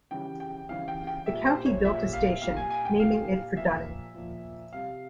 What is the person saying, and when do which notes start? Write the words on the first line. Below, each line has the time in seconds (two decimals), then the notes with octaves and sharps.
The county built a station, naming it for Dunning.
0.11 C#3 E3 G3 G5
0.40 G5
0.69 C#3 E3 G3 F5
0.88 G5
1.07 G5
1.26 A#2 G3 E5
1.46 C5
1.66 C#5
1.84 A#2 G3 E5
2.13 F5
2.42 A#2 G3 F5
2.57 G#5
2.70 G#5
2.85 G5
3.00 A#2 G3 F5
3.57 A#2 F3 E5
4.15 A#2 F3
4.73 C3 G3 F5